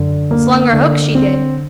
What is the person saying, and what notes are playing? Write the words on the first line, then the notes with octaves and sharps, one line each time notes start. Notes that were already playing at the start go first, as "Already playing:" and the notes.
Slung her hook, she did.
Already playing: F#2 D3 F#3
A#3
D3
C4